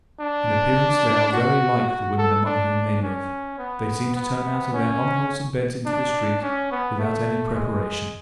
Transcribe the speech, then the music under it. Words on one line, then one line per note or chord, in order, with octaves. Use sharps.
In appearance, they are very like the women among whom they live. They seem to turn out of their unwholesome beds into the street, without any preparation.
D4
F#4
F#4
A4
D4
C#4
B3
B3
C#4
D4
C#4
B3
A3
G#3